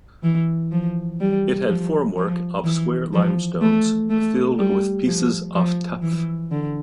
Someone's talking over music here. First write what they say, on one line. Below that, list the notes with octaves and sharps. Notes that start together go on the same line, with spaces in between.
It had formwork of square limestones filled with pieces of tuff.
E3
F3
G3
F3
F3
E3
F3
A3
A3
G3
F3
F3
E3
D3